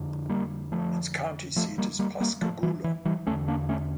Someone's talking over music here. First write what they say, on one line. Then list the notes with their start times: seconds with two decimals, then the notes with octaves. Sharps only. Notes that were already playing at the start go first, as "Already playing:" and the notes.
Its county seat is Pascagoula.
Already playing: F2 D3
0.30 G3 A#3
0.72 F3 A3
1.56 F3 A3
1.78 G3 A#3
1.99 G3 A#3
2.20 G3 A#3
2.42 F3 A3
2.63 E3 G3
2.84 E3
3.05 E3 G3
3.27 E2 D3 A3 C#4
3.48 A#3 D4
3.69 A3 C#4